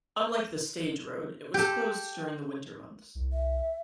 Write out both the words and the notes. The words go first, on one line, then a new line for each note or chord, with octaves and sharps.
Unlike the stage road, it was closed during the winter months.
G4 A4 G6
C2
E5